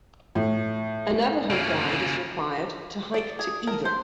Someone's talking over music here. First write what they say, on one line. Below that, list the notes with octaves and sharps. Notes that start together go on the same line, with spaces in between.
A Navajo guide is required to hike to either.
A2
C#3 A#3
D5
G#4
A#4
C5